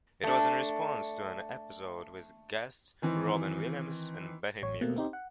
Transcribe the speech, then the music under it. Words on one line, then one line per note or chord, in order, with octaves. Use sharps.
It was in response to an episode with guests Robin Williams and Bette Midler.
A3 D4
D#3 E3 C4
A1 C#5
B2 A3 A#3 C4
C4 D#4 G4 C5
F#5